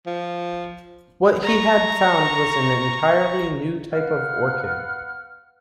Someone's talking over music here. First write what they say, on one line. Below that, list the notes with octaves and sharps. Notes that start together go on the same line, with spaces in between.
What he had found was an entirely new type of orchid.
F3
A#5 C#6
B3 F5 F#5 F6